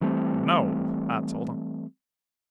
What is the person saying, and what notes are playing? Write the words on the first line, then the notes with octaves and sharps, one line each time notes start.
No,' I told him.
E3 G3 A3 C4